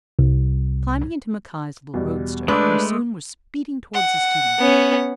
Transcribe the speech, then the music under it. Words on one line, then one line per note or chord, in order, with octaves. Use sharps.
Climbing into Mackay's little roadster, we soon were speeding toward the studio.
C2
E2 B2 G3
G#3 A3 D4 B4 C6 D6 D#6
F#5
B3 C#4